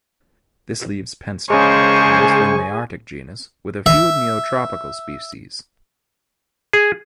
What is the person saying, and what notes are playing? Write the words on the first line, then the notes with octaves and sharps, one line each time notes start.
This leaves "Penstemon" a mostly nearctic genus, with a few neotropical species.
C#3 G#3 D4 G#4 A#4 C5 G#5 C#6
E5
G#4